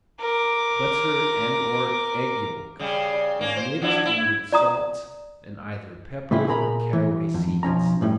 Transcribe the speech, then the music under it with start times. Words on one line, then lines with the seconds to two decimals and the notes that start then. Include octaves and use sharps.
Butter and/or egg yolk is mixed in with salt, and either pepper or caraway seeds.
0.20 A#4 D6
2.79 C#3 G3
3.41 A#3 C#4
3.56 C5
3.82 F3 D4 E4
4.05 E4
4.52 D5 A#5 D#6
6.31 A2 C#3 G3 C#4 E4 F4
6.47 A#2 G#4 A#4 A#5 B5
6.93 E3
7.34 F2
7.63 B1 F3 C#4 A#5
8.01 F#2 A2 G3